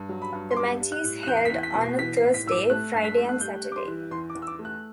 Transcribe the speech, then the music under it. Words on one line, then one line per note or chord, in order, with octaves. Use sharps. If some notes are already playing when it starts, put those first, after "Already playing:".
The match is held on a Thursday, Friday and Saturday.
Already playing: G2
F#3
B5
G2
C6
G3 D6
G3
F#6
A2
F#6
E2 G6
C7
B6
E2
B6
B2
C7
E3 B6
C7
A2
B6
A2 E6
D6
A3 F#6
G2 C7
B6
A3
F#6
G3 G6
G3
D6
C6
E3
E2 C6
D6
E2
E6
D6
A3
F#6